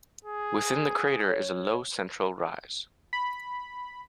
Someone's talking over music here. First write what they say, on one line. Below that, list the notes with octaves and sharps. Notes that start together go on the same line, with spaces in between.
Within the crater is a low central rise.
G#4
C#5
B5